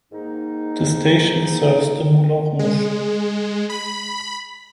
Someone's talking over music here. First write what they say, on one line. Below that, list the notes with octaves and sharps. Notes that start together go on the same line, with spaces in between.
The station serves the Moulin Rouge.
G#2 D#3 A#3 D#4
G#3
B5